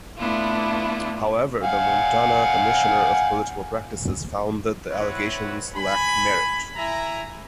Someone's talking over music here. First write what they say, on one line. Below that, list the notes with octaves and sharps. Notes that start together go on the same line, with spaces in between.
However, the Montana Commissioner of Political Practices found that the allegations lacked merit.
A3 B3 D4 E4 F4
F5 F#5 G#5
C4 E4 B4 C#5 F#5
G#5 B5
E4 E5 G#5 A#5